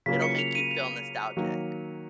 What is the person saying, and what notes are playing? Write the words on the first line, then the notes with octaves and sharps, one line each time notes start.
It'll make you feel nostalgic.
C#3 F#3 A#3 C#4 F4 B6
C#7
F7
D#7
F7
D#3 F#3 A#3